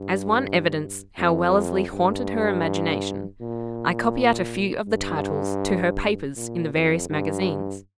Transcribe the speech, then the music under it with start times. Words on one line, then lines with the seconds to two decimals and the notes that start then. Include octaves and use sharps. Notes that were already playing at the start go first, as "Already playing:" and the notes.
As one evidence how Wellesley haunted her imagination, I copy out a few of the titles to her papers in the various magazines.
Already playing: G2
1.19 F2
1.92 G2
3.41 A#2
4.88 G2
6.36 A#2
6.73 F2
7.10 G2